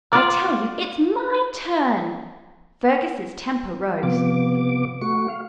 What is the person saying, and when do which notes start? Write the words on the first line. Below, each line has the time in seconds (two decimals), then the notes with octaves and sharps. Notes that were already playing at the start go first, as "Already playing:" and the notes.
"I tell you it's my turn!" Fergus' temper rose.
0.13 F4 D5
4.03 C3 F3 B3 D6
5.01 A3 F#4 C#6
5.28 F5